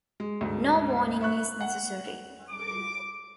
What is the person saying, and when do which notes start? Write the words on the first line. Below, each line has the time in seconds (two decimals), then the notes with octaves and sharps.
No warning is necessary.
0.20 G#3
0.41 D2 G#2
1.21 E5 C#6 F#6
1.61 F#5
2.50 D6